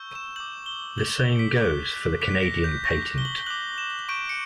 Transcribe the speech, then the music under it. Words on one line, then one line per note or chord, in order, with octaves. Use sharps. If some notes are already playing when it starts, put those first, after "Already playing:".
The same goes for the Canadian patent.
Already playing: C#6 E6 G6
E7
D6 G6 F#7
G7
D6 G6 F#7
B6
D6 F#6
D6 F#6 B6
B6
A#6
G6
C#6 G6 A#6
G7
F#7
D6 F#6 F#7
E7
C#6 G6 D7
C#7